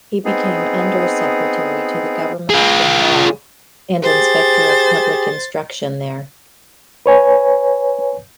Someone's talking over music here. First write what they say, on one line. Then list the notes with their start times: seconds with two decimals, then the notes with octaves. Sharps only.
He became under-secretary to the government of Bengal, and inspector of public instruction there.
0.25 B3 C4 D#4 G#4
2.50 F4 G#4
4.03 G4 G#4 C5 A6
7.06 B4 C#5 G#5